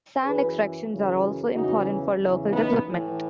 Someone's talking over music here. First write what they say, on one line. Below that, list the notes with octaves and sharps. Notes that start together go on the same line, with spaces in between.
Sand extractions are also important for local development.
F#2 E3 G#4 B4
F#2 C#3 E3
E2 C#3 E3 D#4 F#4
E2 C#3 E3
B3 D#4
A2 E3